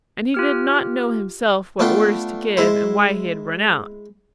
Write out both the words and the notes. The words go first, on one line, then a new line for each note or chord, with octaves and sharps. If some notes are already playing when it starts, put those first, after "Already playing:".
And he did not know himself what orders to give and why he had run out.
F4 G4 F6
A3 B3 D4 F4 G5
G#3 E4 C5